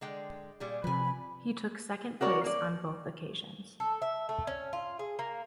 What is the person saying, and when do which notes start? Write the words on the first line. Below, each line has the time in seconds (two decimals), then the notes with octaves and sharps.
He took second place on both occasions.
0.01 D3 G#3 G5
0.60 A#2 G3 G#4
0.84 C3 F3 B4 G#5 B5
2.21 F#4 A#4 C#5 D5
2.44 A#3 D5
3.80 A4
4.02 E5
4.29 A3
4.47 C#4
4.73 F4
4.99 G#4
5.19 A#3